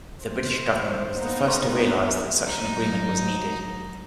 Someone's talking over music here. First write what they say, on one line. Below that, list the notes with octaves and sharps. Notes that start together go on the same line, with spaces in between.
The British Government was the first to realize that such an agreement was needed.
C5
A#3 B3 D#4 D#5 F#5
G2 A4 D5 G5 C6 C#6
F#3 D#4